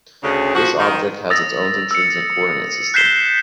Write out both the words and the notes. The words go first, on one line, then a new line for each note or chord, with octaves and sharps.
This object has its own intrinsic coordinate system.
D2 C#3
F3 F#4
D#3
D#6 E6 A6 A#6
E6 C#7
F#6 G6 B6 C7 E7 G7